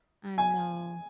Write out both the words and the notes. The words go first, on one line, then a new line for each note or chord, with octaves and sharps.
I know.
G#5